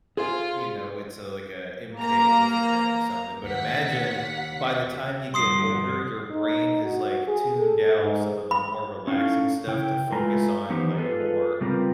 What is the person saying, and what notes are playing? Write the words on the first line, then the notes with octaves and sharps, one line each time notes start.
you know, it's a like, a MK Ultra thing or something, but imagine by the time you get older, your brain has, like, tuned out some of the more relaxing stuff to focus on, like, more,
F4 G#4 C5 F5
A#3 A#5
D#2 F#5 B6
G2 D3 F3 C6 D#6 C7
D#4
F#4
G#4
A4
G#2
B5
C#4 D#4 E4 A4 F5
C#3 E4 G5
G#3 A3 F4 B4 G#5 A#5
D#3 E3 B3 D#4 G4 C5
F4 G#4 A4 B4
C#3 G3 C4 F4 A#4 B4